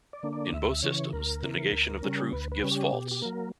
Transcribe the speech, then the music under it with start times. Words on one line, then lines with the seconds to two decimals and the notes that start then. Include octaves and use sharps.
In both systems the negation of the truth gives false.
0.13 D5
0.23 D3 A#3 D4
0.33 D5
0.53 D2 E5
0.82 C#3 E3 C#5
1.13 D2 A#4
1.42 C#3 E3
1.72 D2
2.02 C#3 G3 C#4
2.33 D2 B4
2.52 B4
2.63 C#3 G3 C#4
2.72 G4
2.92 B2 G4
3.11 G4
3.22 F#3 A#3 A#4